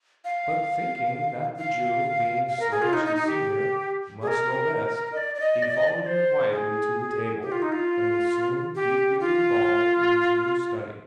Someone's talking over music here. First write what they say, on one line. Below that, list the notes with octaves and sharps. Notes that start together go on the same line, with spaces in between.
But, thinking that the Jew, being so much his senior, must know best, he followed him quietly to the table, and was soon deeply involved in his new study.
F5
F5
F5
A#4
G#4
F4
D#4
D#4
D#4
G4
G#4
A#4
D#5
D5
D5
D#5
D5
D#5
D5
C5
G#4
G4
F4
D#4
F4
G4
F4